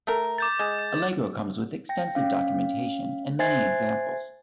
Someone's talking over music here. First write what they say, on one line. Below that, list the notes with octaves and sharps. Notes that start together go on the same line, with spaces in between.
Allegro comes with extensive documentation and many examples.
A3 A#4
D6 G6 A6
G#3
G5 A#6
C#4 F5
C5 E5 G#5 G#6 A6 C7